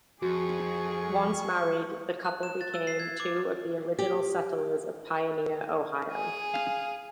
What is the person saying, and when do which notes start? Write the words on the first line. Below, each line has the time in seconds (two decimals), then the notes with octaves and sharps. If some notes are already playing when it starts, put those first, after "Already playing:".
Once married, the couple became two of the original settlers of Pioneer, Ohio.
0.22 F2 F#4 G#4 C#6
2.25 F#6
2.43 E7
2.61 A6
2.74 E6
2.87 C7
3.00 G#6
3.20 D6
3.98 G4
6.12 G#4 G#5
6.54 F5